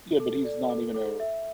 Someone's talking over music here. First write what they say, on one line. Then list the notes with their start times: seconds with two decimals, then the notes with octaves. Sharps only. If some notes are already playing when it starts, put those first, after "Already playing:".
Yeah, but he's not even a
0.20 A4
0.45 D5
0.70 A4
0.94 A4
1.20 E5